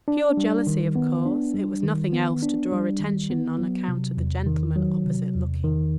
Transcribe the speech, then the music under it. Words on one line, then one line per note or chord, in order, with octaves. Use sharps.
Pure jealousy of course it was nothing else to draw attention on account of the gentleman opposite looking.
D4
G3
D#3
B3
D4
G3
D#3
B3
D4
G3
D#3
B3
F#3
C3
E2
D#3
F#3
C3
E2
D#3